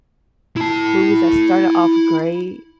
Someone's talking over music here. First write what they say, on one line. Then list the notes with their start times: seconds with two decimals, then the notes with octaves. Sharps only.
movies that started off great.
0.57 E4 A5